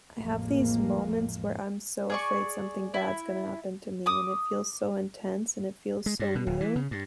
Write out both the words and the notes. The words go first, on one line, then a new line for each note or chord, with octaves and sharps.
I have these moments where I'm so afraid something bad's gonna happen to me and it feels so intense and it feels so real
A1 F2 F3 G#3 A#3
G#4 D5 C#6
E4
D6 D#6
G#3
G2
B2
D1
E3
C#3
G2